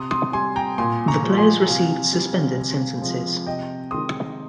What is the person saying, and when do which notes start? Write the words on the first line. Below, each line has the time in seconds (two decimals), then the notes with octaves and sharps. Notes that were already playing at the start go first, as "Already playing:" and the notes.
The players received suspended sentences.
Already playing: C3 C6 D#6
0.11 C6 D#6
0.33 G3 G#5 C6
0.56 G5 A#5
0.78 A#2 G#5 C6
1.08 A#5 C#6
1.23 F3 G#3
1.38 G#5 C6
1.67 C3 F5 G#5
2.13 G3
2.57 C3
3.02 F3 G#3
3.46 C3 D#5 G5
3.91 D#3 G#3 C6 D#6